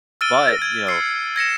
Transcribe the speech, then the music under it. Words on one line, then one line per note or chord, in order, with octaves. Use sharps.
but, you know,
E6 F6 A6 D7 D#7 G7
G#6
E6 C7 C#7
G#6 A#6 C#7 E7